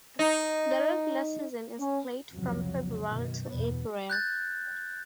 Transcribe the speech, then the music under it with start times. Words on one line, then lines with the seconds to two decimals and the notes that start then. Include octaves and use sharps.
The regular season is played from February to April.
0.19 D#4
1.79 C#4
2.32 C2 F2 C#3 F3 F#3
3.05 F#2 B2 D#3
3.50 E2 G2 B2 B3
4.10 F#6 G6 A6